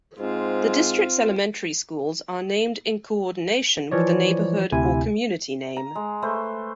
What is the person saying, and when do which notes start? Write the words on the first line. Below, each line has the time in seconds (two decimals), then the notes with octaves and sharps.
The district's elementary schools are named in coordination with the neighborhood or community name.
0.19 G#2 C4 F4
3.91 E3 F3 C#5 D5
4.72 D2 C3 E4 G#5
5.77 A#5
5.95 G#3
6.22 A3 B4 C5